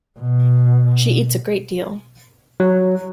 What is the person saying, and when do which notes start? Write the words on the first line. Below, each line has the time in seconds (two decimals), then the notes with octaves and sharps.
She eats a great deal.
0.19 B2
2.60 F#3